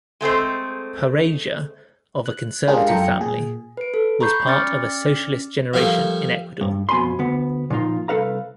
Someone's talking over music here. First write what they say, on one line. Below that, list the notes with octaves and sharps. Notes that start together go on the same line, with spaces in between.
Pareja, of a conservative family, was part of a "socialist generation" in Ecuador.
G#3 A3 C4 C5
F#6
G#3 D4 F4 G4 G#4 A#4
F#2 F4 A4 G5 A#5 C#7
A#2 G#4
B4 D7
A4
A#5 B5 C#6 G6 C7
C#4 D5 D6 F6 A6 C#7
F3 G3 A3 A#3
G2
F2 B2 G#5 B5 C6
D2 B3
A#2 F3 D#4 F4
C2 D#3 A4 B4 F5 A#5